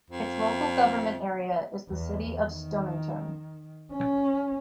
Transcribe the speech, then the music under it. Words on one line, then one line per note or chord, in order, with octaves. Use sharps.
Its local government area is the City of Stonnington.
F2
E2
D#3
C#4